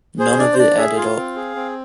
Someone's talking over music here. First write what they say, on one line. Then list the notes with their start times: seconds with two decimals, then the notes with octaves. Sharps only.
None of it added up.
0.19 G#4 C5
0.39 D4 D5
0.53 C5
0.58 D4 D5
0.78 G#4 E5
0.97 F4 F5
1.17 C4
1.36 G#4
1.56 C4